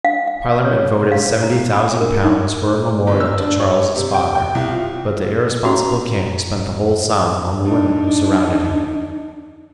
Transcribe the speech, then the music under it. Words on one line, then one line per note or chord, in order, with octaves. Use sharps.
Parliament voted seventy thousand pounds for a memorial to Charles's father, but the irresponsible king spent the whole sum on the women who surrounded him.
F5
F5
C#5
F5
A#5
B5
A#4
D#4
G1
E6
D4
C#5
C3
G5
G5
C2
F4
C#4 F#4 A#5
D4 D#4